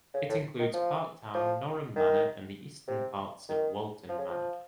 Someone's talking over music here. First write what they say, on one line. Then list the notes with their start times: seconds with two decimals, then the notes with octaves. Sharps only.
It includes Park Town, Norham Manor, and the eastern parts of Walton Manor.
0.14 C#3
0.29 A2
0.59 D#3
0.74 F3
1.35 F3
1.96 D#3
2.87 C3
3.49 D#3
4.09 F3
4.18 C#3
4.30 F3